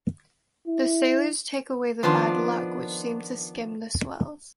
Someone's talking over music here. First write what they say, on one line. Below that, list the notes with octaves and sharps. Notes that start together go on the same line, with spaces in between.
The sailors take away the bad luck which seemed to skim the swells.
E4
D#3 F3 B3 D4 F4